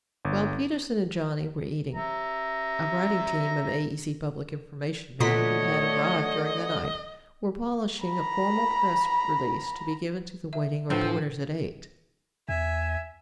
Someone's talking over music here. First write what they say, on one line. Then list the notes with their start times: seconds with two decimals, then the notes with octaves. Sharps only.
While Peterson and Johnny were eating, a writing team of AEC public information men who had arrived during the night, were polishing a formal press release to be given to the waiting reporters at eight.
0.25 G1
1.94 E5 A#5
5.20 A#2 D3 F#3 A3 B3 C#5 D#5 B6
8.04 A#5 B5
10.53 E5
10.90 A2 F3 C4 D4 B4
12.49 E2 E5 G#5